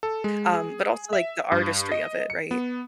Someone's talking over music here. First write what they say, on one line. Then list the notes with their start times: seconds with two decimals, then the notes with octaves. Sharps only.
Um, but also, like, the artistry of it, right?
0.03 A4
0.24 G#3
0.53 G#4
1.13 E5
1.52 G2
1.92 D#5
2.30 C#7
2.51 B3